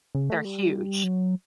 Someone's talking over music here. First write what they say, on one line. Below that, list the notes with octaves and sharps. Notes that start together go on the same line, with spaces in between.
They're huge.
C#3
A3
G3
F#3